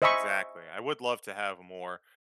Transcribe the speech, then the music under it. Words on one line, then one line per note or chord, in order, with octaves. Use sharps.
Exactly. I would love to have more
C5 D#5 E5 G#5 B5 C#6